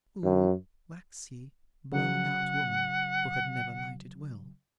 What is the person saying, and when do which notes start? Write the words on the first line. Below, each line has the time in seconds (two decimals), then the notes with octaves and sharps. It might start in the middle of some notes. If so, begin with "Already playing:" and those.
A cool, waxy, blown-out woman, who had never lighted well.
0.23 F#2
1.92 C#3 F#3 F#5